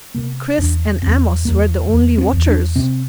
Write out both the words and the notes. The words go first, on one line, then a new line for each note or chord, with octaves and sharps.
Chris and Amos were the only watchers.
C3 A#3
E2 D4
E2 C4
E2 A#3
E2
C4
E2
D4
C3 C4